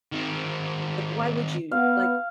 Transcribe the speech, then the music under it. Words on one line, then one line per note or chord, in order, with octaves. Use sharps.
why would you like,
D#3 C4
B3 F5